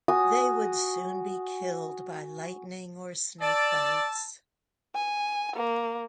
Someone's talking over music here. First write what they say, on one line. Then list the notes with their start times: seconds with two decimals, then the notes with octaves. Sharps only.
They would soon be killed by lightning or snakebites.
0.08 F#4 G#5 D#6
3.41 D5 A5 E6
4.95 G#5
5.56 A#3